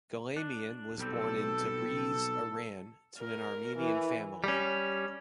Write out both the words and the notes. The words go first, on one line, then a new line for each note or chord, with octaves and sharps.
Galamian was born in Tabriz, Iran to an Armenian family.
D4
B1 G3 C4 A4
A#4
E3
G3 C#4